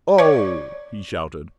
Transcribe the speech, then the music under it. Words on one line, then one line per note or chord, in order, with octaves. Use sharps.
"Oh!" he shouted.
C#5 D5